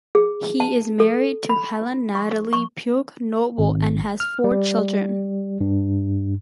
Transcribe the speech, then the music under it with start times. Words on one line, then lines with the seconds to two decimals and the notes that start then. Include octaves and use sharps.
He is married to Helen Natalie Pugh Noble and has four children.
0.15 G#4
0.60 A5
1.00 A4
1.49 B5
2.15 C#6
2.53 C#6
3.58 G#1
4.20 F6
4.44 G3
5.61 G2